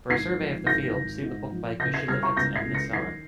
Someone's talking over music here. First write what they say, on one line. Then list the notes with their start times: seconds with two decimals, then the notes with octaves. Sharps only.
For a survey of the field, see the book by Kushilevitz and Nisan.
0.10 G#1 G#6 C7
0.38 F3
0.66 G#1 G6 A#6
0.95 G#1
1.23 G#2
1.52 F3
1.80 C#3 G6 A#6
1.94 G#6 C7
2.08 G3 F6 G#6
2.23 A#5 C#6
2.37 C#2 G6 A#6
2.56 G#6 C7
2.66 C#2
2.74 A#6 C#7
2.93 D#3 G#6 C7